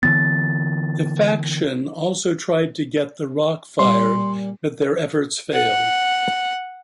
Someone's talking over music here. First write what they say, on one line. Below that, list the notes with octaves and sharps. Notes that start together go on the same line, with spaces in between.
The Faction also tried to get The Rock fired, but their efforts failed.
D3 E3 B3 A6
A#2 G3 C6
F#5